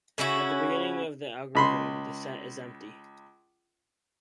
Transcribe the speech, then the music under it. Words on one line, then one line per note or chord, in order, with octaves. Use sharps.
At the beginning of the algorithm, the set is empty.
C#3 C#4 E4 F#4
C#2 B5 C6